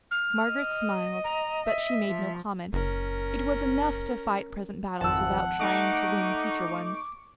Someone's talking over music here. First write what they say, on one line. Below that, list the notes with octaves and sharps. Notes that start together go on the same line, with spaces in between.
Margaret smiled, but she made no comment--it was enough to fight present battles without trying to win future ones.
F6
D#5
A#5
E5
F3
F#1 C#4 A#4
G#1 F2 F#5 A5 E6
A3 D#4 C#6 D6